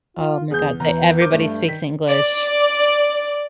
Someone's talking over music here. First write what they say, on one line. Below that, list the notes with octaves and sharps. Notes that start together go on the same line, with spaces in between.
Oh my god. Th everybody speaks English.
F4
E2 G#4 G6
E2 E3 A#5
A#4 C5 D6 G6
G2 A3
D#3 B6
D5